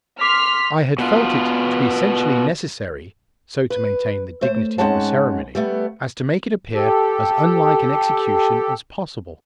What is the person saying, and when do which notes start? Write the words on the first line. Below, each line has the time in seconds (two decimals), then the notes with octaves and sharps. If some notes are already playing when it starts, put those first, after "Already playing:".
I had felt it to be essentially necessary so to maintain the dignity of the ceremony as to make it appear as unlike an execution as possible.
0.21 C6 D6 F6 B6
0.99 B2 B3 F4
3.70 B4
4.41 A3 C5
4.78 G#2 G#3 C4 C#4 F#5 A5
5.55 G3 A3 B3
6.74 G4 A4